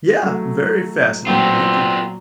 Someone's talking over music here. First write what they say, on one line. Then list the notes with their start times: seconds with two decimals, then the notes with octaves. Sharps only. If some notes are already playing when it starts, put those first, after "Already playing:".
Yeah, very fascinating. Thank you.
0.23 F#3 A3
1.27 A#2 F#3 B3 C4 F4 G5